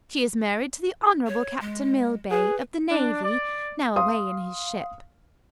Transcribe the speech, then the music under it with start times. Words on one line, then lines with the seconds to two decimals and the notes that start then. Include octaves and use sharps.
She is married to the Honorable Captain Millbay, of the Navy, now away in his ship.
1.27 C#5
1.60 G#3
2.31 G#4 B4
2.90 D4
3.24 D5
3.96 F5 C6 D#6